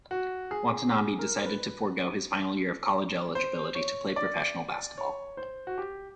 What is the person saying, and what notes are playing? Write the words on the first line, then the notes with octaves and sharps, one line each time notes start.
Watanabe decided to forego his final year of college eligibility to play professional basketball.
F#4
G#4
G#4
A#4
C5
B4
C5
C#5
D5
C#5
C5
F#4
G4